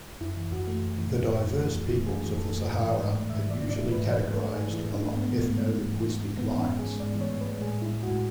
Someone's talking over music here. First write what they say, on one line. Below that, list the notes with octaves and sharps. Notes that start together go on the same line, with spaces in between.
The diverse peoples of the Sahara are usually categorized along ethno-linguistic lines.
F#2 E4
E3
F#2 F#4
A3
F#2
E3
F#2
A3
F#2
E3
F#2
A3
F#2 G#4
E3
F#2 A4
A3
G#2
E3
G#2 D5
A3
G#2 E5
E3
D5
G#2
D5
A3
G#2 B4
E3
B4
G#2
A3 A4
G#2 G#4
E3
E4
G#2
D4
A3
G#2 B3
E3
G#2 A3
G#3
G#2
E3
G#2
G#3
G#2 B3
E3 C#4
G#2
G#3 G#4
G#2 D5
E3
C#5
G#2
B4
G#3
A2 G#4
G#3 E4
G#3
A2 F#4